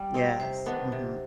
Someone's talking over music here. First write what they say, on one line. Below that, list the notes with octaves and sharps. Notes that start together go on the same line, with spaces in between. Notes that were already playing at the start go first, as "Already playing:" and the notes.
Yes, mhm.
Already playing: G3 G5
C4 D#4 G4
C3 C5
D#3 B3 D4
C3